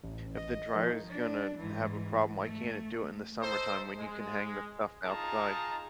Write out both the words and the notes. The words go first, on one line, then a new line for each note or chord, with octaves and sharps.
if the dryer is gonna have a problem, why can't it do it in the summertime when you can hang the stuff outside?
A1
D#5
D#3 F3
D4
G#2 E3
A3
D#4 A4 C5
G#3
D#4 F4 G#4 A5 A#5